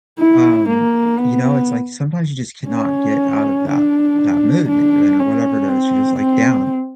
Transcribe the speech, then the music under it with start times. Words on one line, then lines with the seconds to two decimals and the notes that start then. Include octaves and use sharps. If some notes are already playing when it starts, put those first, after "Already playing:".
um, you know, it's, like, sometimes you just cannot get out of that that mood that you're in, or whatever it is, you're just, like, down,
0.19 E4
0.68 A#3
1.19 B3
2.68 C#4
3.69 D4
4.68 D4
5.19 C#4
5.68 C4
6.19 C4